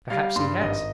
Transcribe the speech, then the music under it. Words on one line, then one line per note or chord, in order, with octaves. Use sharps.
Perhaps he has.
G3 F5
G2 C6
G#1 D#5